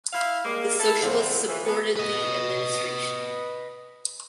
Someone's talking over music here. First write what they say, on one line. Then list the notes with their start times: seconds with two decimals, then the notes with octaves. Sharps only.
The Socialists supported the administration.
0.13 E4 F5
0.45 G3 G#3 A#3
0.80 E4 A4
1.01 E2 A2 D3 F3 C4
1.48 E3 F3
1.66 G#3 A#3 B3
1.96 B4 D#5